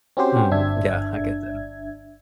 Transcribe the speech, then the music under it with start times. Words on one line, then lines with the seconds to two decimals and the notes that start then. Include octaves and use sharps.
Mm, yeah, I get that.
0.17 C4 C#4 F#4 G4 C5
0.51 G1 D4 E5 G#6